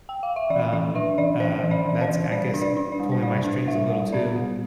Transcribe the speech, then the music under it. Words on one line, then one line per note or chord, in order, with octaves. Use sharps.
um, uh, that's, g I guess, pulling my strings a little too.
G5
F5
E5
E3 D5
E3 D5
D4 E5
E3 D5
E3 C5
E3
D5
E3
C5
E3
G3 D5
D4
D5
D4
D5
G3
C5
G3 D5
D4
G3 E5
G3
B3 D5
G3